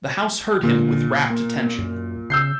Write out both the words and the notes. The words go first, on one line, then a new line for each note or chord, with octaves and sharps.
The house heard him with rapt attention.
A#2 D3
A#3
F#2
C#3 E6 G6 C7